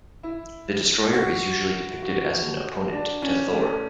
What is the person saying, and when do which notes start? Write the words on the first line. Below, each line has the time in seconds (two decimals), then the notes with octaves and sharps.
The Destroyer is usually depicted as an opponent to Thor.
0.23 E4
1.13 F#4
2.03 F#4
2.92 D4
3.22 C#4
3.52 A3